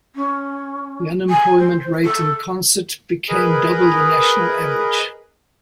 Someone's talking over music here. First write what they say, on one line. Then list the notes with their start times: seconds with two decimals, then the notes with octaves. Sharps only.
The unemployment rate in Consett became double the national average.
0.15 C#4
1.30 G#5
1.58 C5
2.05 A4
3.29 G#4 A#4 B4 D#5